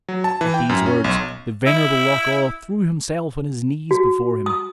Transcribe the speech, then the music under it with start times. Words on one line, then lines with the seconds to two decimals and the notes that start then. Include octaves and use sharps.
At these words the venerable Loch-awe threw himself on his knees before him.
0.08 F#3
0.24 A5
0.41 E3
0.54 G5
0.69 F#2
0.86 C#4
1.04 B1
1.66 E4
3.91 F#4
4.46 D#6